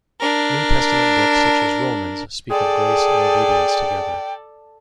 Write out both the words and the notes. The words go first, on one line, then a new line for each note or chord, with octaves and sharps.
New Testament books such as Romans, speak of grace and obedience together.
D4 A#4
G#4 A4 D5 G5